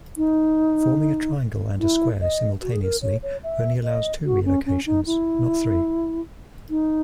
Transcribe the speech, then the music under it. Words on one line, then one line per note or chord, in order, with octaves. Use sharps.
Forming a triangle and a square simultaneously only allows two relocations, not three.
D#4
E4
D#5
F#4
G#4
A#4
C#5
C#5
E5
D#5
F#4
C#4
C#4
D#4
E4
D#4